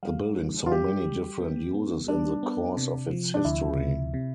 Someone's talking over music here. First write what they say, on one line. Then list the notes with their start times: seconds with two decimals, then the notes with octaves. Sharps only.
The building saw many different uses in the course of its history.
0.03 G3 F5
0.37 G3
0.66 F4
0.72 G3 G4
1.06 G3
1.40 B3
1.74 B3
2.08 G3 D4
2.43 B3
2.77 C3
3.11 F3
3.34 D4
3.45 D2 E4
3.80 C3
4.14 C3